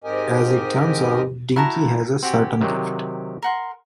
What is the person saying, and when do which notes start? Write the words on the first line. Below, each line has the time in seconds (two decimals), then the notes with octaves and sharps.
As it turns out, Dinky has a certain gift.
0.04 G#2 C4 G4 A#4 D#5 G#5
1.56 E4 F#4 A#4 A5 A#5
2.23 C4 F#4 G4 G#5
2.61 C3 D#3 F#3
3.42 A#4 F#5 C6